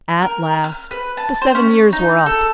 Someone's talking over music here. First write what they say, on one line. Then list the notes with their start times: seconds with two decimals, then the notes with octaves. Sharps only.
At last the seven years were up.
0.22 A#4
0.64 F6
0.91 B4
1.17 A5
1.42 C5
1.55 C#4
1.93 D#4
2.26 A4